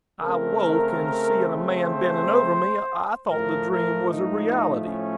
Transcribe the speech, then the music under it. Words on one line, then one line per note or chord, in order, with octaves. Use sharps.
"I woke, and seeing a man bending over me, I thought the dream was a reality."
C#3 A3 C4 A#4
C5
A2 F3 A3 A#4
A#4
D#4
C#4